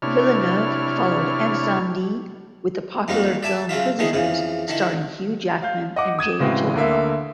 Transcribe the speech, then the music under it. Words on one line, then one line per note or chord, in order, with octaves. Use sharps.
Villeneuve followed "Incendies" with the popular film "Prisoners", starring Hugh Jackman and Jake Gyllenhaal.
C3 D4 E4 C#5 F6
F2 D#3 G3 A#3 F#4
D5 E5 G#5 A5 D6
C#3 F#3 F4 E5
D3 D#3 B3 E4 G#4
F2 C#3 E3
D3 D#3 E4
F5 G6
D#5 F#5 D6
D#6 G#6 D#7 E7
A2 C#3 G#3 B3 C4 F#4
D2 D3 A#3 E5